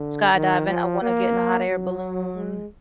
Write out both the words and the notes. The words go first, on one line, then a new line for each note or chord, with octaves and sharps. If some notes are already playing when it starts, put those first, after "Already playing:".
skydiving, I wanna get in a hot air balloon
Already playing: D3
D#3
F3
A#3
F#3
G#3